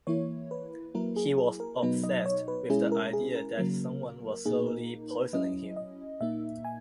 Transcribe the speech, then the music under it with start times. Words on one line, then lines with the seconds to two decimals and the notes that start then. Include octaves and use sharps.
He was obsessed with the idea that someone was slowly poisoning him.
0.07 E3 A#3 E4 C#5
0.51 B4
0.95 F#3 A#3 E4 A#4
1.16 G#4
1.38 G#4
1.60 A#4
1.82 B2 F#3 B3 D#4 B4
2.04 D#5
2.26 C#5
2.48 B4
2.69 B2 G#3 C#4 E4 G#4
2.92 A#4
3.13 G#4
3.36 A#4
3.57 C#3 F#3 A#3
4.45 A#2 A#3 D#4 G#4
4.67 A#4
5.11 B4
5.33 F#3 C#4 E4 D#5
5.76 D#5
6.21 A#2 A#3 D#4 E5
6.64 G#5